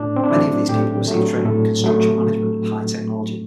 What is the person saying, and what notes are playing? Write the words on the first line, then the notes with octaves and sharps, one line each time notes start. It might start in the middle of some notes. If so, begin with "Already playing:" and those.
Many of these people received training in construction management and high technology.
Already playing: A2 D4
C4
D4
F#3 A3 E4
A2 G4
F#3 A3
A2 A4
F#3 A3